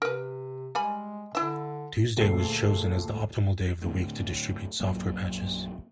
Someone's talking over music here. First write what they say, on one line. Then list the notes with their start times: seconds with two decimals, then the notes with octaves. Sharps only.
Tuesday was chosen as the optimal day of the week to distribute software patches.
0.02 C3 A#4 B4
0.75 G3 G#3 G#5 B5
1.35 D3 E4 E5
2.17 D2 A#2 G#4 A4 C7
3.82 A2 D3
4.80 A#1 F#2 F#3 A#3